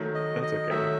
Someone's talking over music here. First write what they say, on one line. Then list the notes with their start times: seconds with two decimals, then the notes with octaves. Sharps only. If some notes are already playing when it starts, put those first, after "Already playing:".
That's okay.
Already playing: D#3 F#3 A3
0.14 D#5
0.43 D#5
0.71 D#3 F#3 A3 E5